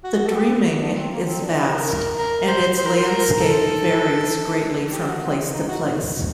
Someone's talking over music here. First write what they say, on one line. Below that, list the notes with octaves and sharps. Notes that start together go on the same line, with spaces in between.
The Dreaming is vast, and its landscape varies greatly from place to place.
F#4
A4
G4
F#4
D4
C4
A#3
C4
D4
G4
A#4
A#4
A#4
C5
C5
A#4
C5
A#4
A4
G4
F#4
C4
D#4
F#4